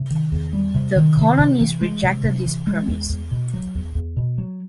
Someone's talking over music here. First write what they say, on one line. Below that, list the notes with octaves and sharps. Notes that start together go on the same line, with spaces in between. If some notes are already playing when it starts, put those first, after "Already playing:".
The Colonies rejected this premise.
Already playing: C3
D#3
E2
G3
C3
D#3
C3
C3
E3
G#3
C3
C3
E3
G#3
E2
E2
B2
F#3
E2
E2
B2
F#3